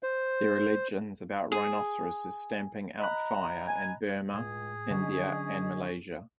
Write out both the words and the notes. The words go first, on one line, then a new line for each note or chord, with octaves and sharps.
There are legends about rhinoceroses stamping out fire in Burma, India, and Malaysia.
C5
G#4
D#5 A#5 B5 F#6
G#5
C#2 A2 G#4
D3 F#3 C#4 D4 D#5